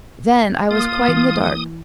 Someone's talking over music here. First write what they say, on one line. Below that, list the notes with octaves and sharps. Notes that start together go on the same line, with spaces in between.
Then I was quite in the dark.
A#3 F4 D#6
E3